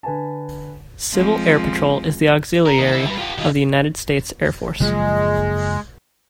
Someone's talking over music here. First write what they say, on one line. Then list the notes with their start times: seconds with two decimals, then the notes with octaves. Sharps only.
Civil Air Patrol is the Auxiliary of the United States Air Force.
0.03 D3 B4 G#5 A5
1.13 F3 G#3 C4
2.66 A#4
2.79 D#3 A#3
2.92 D3 E4
3.05 G3 B4
3.18 F4 G4
3.38 D#3 F4
4.80 F#1 A#2 F3 G#3